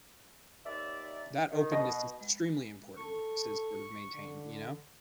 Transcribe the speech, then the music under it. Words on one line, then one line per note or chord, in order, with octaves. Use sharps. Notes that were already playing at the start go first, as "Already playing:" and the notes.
That openness is extremely important to sort of maintain, you know?
D#2 D5 E5
D#3
B2 D#5
G#3
A4 C#6
D3